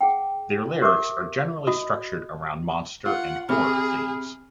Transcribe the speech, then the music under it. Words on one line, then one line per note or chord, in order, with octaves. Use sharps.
Their lyrics are generally structured around monster and horror themes.
G#4 F#5 G5
G4 A#4 E5 D6
F#4 D#5 D#6
F4 F#5 C#6
C3 G#4 B5 F6